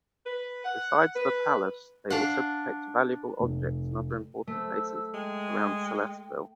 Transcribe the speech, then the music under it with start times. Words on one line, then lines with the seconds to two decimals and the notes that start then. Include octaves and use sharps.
Besides the palace they also protect valuable objects and other important places around Celesteville.
0.25 B4
0.63 F#5
1.14 B4
2.10 D4 F5 F#5
3.40 F1
4.47 A3 C5 E6
5.14 G#3 G5